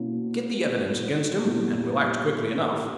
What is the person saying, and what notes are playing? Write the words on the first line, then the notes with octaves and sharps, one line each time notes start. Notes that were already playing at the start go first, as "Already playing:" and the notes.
"Get the evidence against him, and we'll act quickly enough."
Already playing: B2 A#3 C#4 E4
A#2 G3 B3 E4